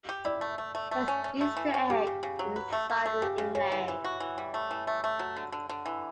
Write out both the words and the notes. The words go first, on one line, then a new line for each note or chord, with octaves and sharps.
There is an easter egg inside the inlay.
G4
E4 D5
A3
A3
A3
A3
C#4
C#4
A3
E3
C#4
C#3 G4
C#3
C#3
F#3
B4
A3
A3
A3
C#3 G4
C#3
C#3 C#5
E3
E3
F#4
E3
G3
A3
E3
A3
A3
F#3
D3
D3
D3
E3